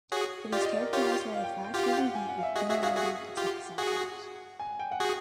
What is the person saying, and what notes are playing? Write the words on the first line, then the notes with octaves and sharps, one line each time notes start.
It is characterized by a fast moving beat with thin melodies and synthesizers.
F#4 G#4 C#5
F4 G4 D5
D#5
D5
A#4
F4 G4 C#5
F5
G5
G5
F4 G4 F#5
F5
F#5
G#5
F#5
F5
E5
F#4 G#4 D#5
F#4 G#4 E5
F#4 G#4 F5
F#4 G#4 F#5
F4 G4
F#4 G#4 F#5
G#5
G5
F#5
F#4 G#4 G5